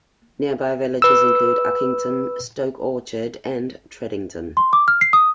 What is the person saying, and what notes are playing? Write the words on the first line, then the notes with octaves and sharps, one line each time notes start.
Nearby villages include Uckington, Stoke Orchard, and Tredington.
B4 E6
C6
D6
F6
C7
D#6